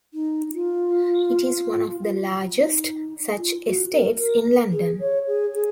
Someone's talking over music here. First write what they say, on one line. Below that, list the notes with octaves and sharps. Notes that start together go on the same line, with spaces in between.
It is one of the largest such estates in London.
D#4
F4
D#4
F4
F#4
A#4
A#4
G#4
C#5
G#4
G#4